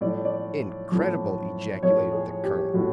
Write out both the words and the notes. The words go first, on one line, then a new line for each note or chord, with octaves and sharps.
"Incredible!" ejaculated the colonel.
A2 F3 D5
C#5
D5
A2 F3
A2 F3 C#5
G#4
G4
A2 F3 F#4